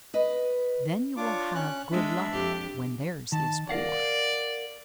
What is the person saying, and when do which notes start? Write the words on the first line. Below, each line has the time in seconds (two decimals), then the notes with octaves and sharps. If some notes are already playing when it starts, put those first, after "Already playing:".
Then you will have good luck when theirs is poor.
0.14 B4 D#5
1.17 D4 F4 C#5 D6
1.55 C#4 F#6
1.92 G#3 D4 E5
2.30 F2 G4
3.32 D#3 A5
3.69 A#4 D5 F5 F#5